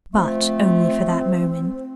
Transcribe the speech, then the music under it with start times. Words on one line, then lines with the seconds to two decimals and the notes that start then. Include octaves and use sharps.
But only for that moment.
0.14 F3 A3 C4